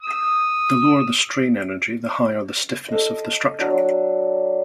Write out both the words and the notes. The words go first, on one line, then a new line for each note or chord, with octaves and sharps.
The lower the strain energy the higher the stiffness of the structure.
D#6 E6
A4 D#5
F#3 D4